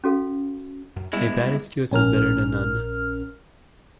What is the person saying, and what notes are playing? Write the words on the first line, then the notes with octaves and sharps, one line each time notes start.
A bad excuse is better then none.
C#4 F#4 A4 F5
F#2
G3 G#3 B3 E4
A#1 C#4 A#4 F6